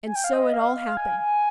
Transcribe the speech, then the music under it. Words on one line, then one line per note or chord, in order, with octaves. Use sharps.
And so it all happened.
G#5
G5
F5
D#5
F5
F5
G#5
G#5